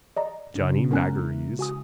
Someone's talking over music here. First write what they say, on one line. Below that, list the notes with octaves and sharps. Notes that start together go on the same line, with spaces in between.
Johnny Magories.
D5 D#5 A#5
C#3 D4
G#3 B3 C#4 A#4 F#6
E4
F#4 G#5 D#6